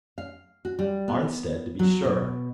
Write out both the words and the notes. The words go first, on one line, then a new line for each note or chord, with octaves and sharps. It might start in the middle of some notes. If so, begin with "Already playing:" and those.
"Arnstead, to be sure."
F5
F#4
G3
B3
F#3
B2